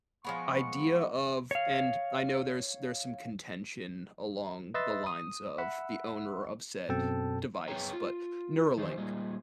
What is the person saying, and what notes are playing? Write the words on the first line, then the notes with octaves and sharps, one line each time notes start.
idea of and I know there's there's some contention along the lines of the owner of said device, but Neuralink,
F3 G#3 B3 C#6
C#5 F5
B4 D#5 E5 C6 E6 A6
D#6
E5 F#5 B5 E6
F#2 B2 C4 A4 G5 A5
F#2 B3 G#4 C#5 G5 A#5
F4
D#3 E3 G4 C5
A#2 G3 G#3